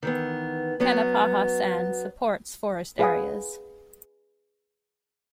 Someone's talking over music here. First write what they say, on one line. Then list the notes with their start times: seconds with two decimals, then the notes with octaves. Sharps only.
Kanapaha sand supports forest areas.
0.03 D#3 E3 B3
0.80 F#3 B3 C#4
2.99 G#4 B4 F5 F#5 G#5 D#6